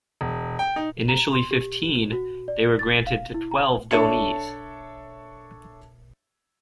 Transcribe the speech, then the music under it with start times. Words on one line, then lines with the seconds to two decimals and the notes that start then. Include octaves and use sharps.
Initially fifteen, they were granted to twelve donees.
0.21 E1
0.59 G5
0.76 D#4
1.08 A#5
1.33 C6
1.51 G4
2.13 F#4
2.48 D5
2.79 A6
3.07 F5
3.34 E4
3.51 A#5
3.91 D4 A4 C#5 E5 A5 C#7